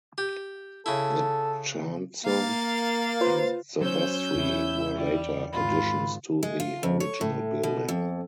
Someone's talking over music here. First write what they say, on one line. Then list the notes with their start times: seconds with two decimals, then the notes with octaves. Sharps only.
The chancel and the vestry were later additions to the original building.
0.18 G4
0.86 C#3 E4 A4
2.25 A#3 F5 A6
3.21 F4 B4 C5
3.81 F#3 C#4 C5 E6 G6
4.35 E2 E4
4.95 G3
5.53 G#1 F4 B5
6.43 G#3
6.60 F4
6.83 F2
7.00 C#5
7.21 A2
7.63 B2
7.88 F2